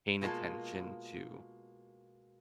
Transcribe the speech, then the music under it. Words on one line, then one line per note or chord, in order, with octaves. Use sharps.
paying attention to
B2 D#3 G#3 A#3 F4 A5